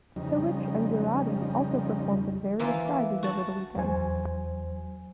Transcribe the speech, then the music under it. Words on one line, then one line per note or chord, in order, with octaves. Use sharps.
Hillage and Giraudy also performed in various guises over the weekend.
F2 C#3 G3 D#4
E3 A#3 F4
F#4 A5
E2 F#3 C5 G#5